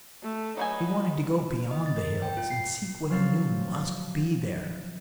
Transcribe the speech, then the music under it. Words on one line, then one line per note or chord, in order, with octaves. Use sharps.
He wanted to go beyond the hills and seek what he knew must be there.
A3
F#3 B3 D#4 G#5
D#5
A6
A#4
G5
F4
C7
F3 F#3 C4 F5 A6